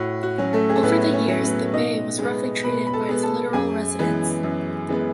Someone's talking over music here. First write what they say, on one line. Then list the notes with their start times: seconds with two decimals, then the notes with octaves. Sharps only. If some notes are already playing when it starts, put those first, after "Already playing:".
Over the years, the bay was roughly treated by its littoral residents.
Already playing: A2 F#4
0.23 F#4
0.38 F#3 C#4
0.53 A3 A4
0.70 G#4
0.76 A4
0.83 A2 B3 B4
1.13 C#4 C#5
1.28 F#3 C#4
1.43 B3 B4
1.73 B2 D#4 D#5
2.19 G#3 B3
2.64 B2 B4 B5
2.87 B5
2.93 A4 A5
3.09 G#3 B3
3.23 A4 A5
3.53 F#2 G#4 G#5
3.99 E3 G#3 B3
4.43 F#2
4.89 E3 G#3 B3